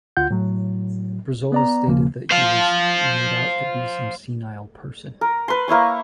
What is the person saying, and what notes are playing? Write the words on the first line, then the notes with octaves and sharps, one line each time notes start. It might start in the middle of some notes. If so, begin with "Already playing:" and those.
Brizola stated that he was "made out to be some senile person".
D2 F4 F#5 G6
A2 F#3
B3 D5 A#5
D#2 C#3 F3 A#3
C5 F5
A#4
B4 C6
A#3 E4 C#5 C#6